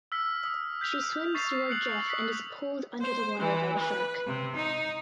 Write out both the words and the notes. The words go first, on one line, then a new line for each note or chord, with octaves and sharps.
She swims towards Jeff and is pulled under the water by the shark.
E6 F6 B6
D#6 E6
G6 B6 F7
C#6 A6 B6 C7 F7
F#6 C7 C#7 F#7
D#6 B6 C#7
C5
E3
B4
C3
D#4